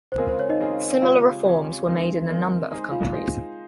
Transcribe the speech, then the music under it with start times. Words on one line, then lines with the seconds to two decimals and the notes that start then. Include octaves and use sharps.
Similar reforms were made in a number of countries.
0.12 C5
0.18 C#3 G#3 C4 F4 G#4 A#4
0.29 C5
0.39 C#5
0.49 D#4 D#5
0.60 C#3 G#3 C4 F4 G#4
1.02 C#3 G#3 C4 F4 G4 C#5 F5
1.45 C#3 G#3 C4 G4 C#5
1.87 D#3 G#3 C4 D#4
2.28 D#3 G#3 C4 D#4
2.71 G#3 D#4 G#4 C5
2.91 F4 F5
3.12 G#3 D#4 G#4 C5